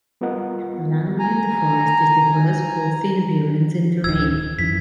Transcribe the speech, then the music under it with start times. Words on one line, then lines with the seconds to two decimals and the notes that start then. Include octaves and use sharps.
The land within the forest is diverse, both in appearance and terrain.
0.21 G3 B3 F4 A#4 D#5 F#5
1.19 G#5 A#5
4.04 D1 D#3 E6 G#6
4.59 F#2 E3 B6